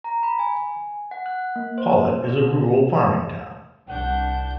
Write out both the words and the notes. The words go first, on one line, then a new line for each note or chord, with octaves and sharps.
Pawlet is a rural farming town.
A#5
B5
G#5
F#5
F#6
A#3
C5
C4
C2 D4 F#5 G6